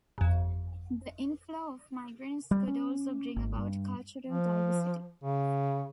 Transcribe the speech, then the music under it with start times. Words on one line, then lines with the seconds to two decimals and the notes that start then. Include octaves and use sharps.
The inflow of migrants could also bring about cultural diversity.
0.18 G1 F2
2.51 G3
2.67 C#4
3.36 G#1
3.57 G2
4.27 F3
5.24 C#3